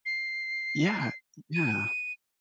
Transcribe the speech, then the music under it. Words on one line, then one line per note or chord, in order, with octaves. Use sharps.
Yeah, yeah.
C7
D#7